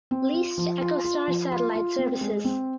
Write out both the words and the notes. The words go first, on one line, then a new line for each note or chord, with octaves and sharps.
Leased to Echostar Satellite Services.
C4
F4
F3
F4
F4
F3
F4
F4
C4
G#3
C4